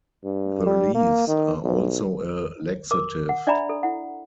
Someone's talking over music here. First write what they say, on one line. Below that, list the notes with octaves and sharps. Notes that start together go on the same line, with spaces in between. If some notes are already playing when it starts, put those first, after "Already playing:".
The leaves are also a laxative.
G2
G3
A#3
D#3
B1
A#4 D6
F#5
D4 D5 E5 G#5 A#5 B5
A4
E4 F#5